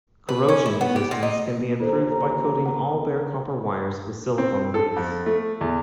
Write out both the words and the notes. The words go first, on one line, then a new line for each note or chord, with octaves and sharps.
Corrosion resistance can be improved by coating all bare copper wires with silicone grease.
B4
C#4
E4
B3
G4
A#2
D#4
D#2 D4 F4 G#4 A4 C5 A#5
F#1 C#3 B3 F#5 A#5
C4
A4
F2
A3
E2